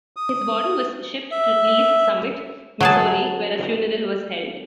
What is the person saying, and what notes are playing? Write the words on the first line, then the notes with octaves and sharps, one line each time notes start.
His body was shipped to Lee's Summit, Missouri where a funeral was held.
D#6
E5
F#3 G#4 A5